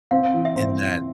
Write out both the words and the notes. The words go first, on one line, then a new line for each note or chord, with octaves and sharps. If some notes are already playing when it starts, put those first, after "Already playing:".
and that,
C4 F5
E3
E5
C4